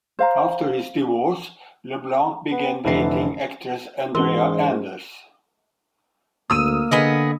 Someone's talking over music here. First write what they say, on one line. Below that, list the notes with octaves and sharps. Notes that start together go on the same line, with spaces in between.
After his divorce, LeBlanc began dating actress Andrea Anders.
C5 F5 A#5
B3
F1 D3 E3 C7
G#2 E3 C#4 A#4 C6 G7
D2 A#3 D#6 E6 D#7
D3 B3 G#4 D#5